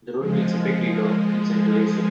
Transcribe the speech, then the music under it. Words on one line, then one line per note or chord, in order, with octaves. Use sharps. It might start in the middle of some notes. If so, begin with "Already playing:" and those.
The road makes a big detour in Central Asia.
F3 G#3
F3 G#3